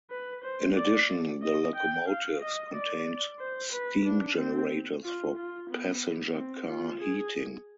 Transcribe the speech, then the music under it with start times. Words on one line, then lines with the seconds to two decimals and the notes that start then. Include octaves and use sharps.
In addition the locomotives contained steam generators for passenger car heating.
0.11 B4
0.44 C5
0.76 D5
1.43 D#5
1.75 G5
2.08 F5
2.41 D#5
2.74 D5
3.39 C5
3.72 B4
4.06 D4
4.38 C4
5.04 F4
5.37 F4
5.70 B3
6.35 C4
6.68 F4
7.01 G#4